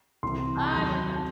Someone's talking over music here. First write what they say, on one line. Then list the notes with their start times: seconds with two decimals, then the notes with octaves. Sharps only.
I like that.
0.23 C2 C3 E3 C6
0.57 A5
0.65 B5
0.72 D#2 D#3 F#3 C6
1.16 A5